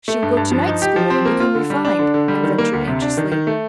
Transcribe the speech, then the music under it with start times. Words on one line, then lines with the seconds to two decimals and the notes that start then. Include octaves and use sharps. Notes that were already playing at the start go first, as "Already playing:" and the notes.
"She will go to night school and become refined?" I ventured anxiously.
0.08 A3
0.23 G2
0.37 G2
0.52 F3
0.67 D#4
0.82 G4
0.96 F3
1.10 C4
1.25 A#3
1.40 F4
1.55 D3
1.70 G3
1.85 D4
1.99 D3
2.14 D3
2.28 G3
2.43 D#3
2.58 A#3
2.73 D2
2.88 C3
3.02 D4
3.17 D#3
3.32 D#3
3.47 A3